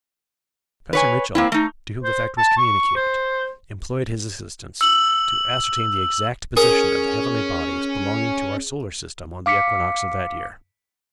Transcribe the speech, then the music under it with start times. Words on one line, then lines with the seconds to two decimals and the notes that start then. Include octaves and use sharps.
Professor Mitchell, to whom the fact was communicated, employed his assistants to ascertain the exact position of the heavenly bodies belonging to our solar system on the equinox of that year.
0.93 B4 C#5 G#5
1.35 A#3 C4 E4
1.52 A3 D#4
2.04 C5
2.38 A5
2.57 C#6
2.96 C5
4.81 E6 F#7
6.57 C#4 G#4 A#4
9.46 F5 D6 B6 C#7